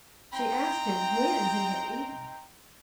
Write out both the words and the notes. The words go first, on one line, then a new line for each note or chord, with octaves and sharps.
She asked him when he had eaten.
C4 D#4 G5 A#5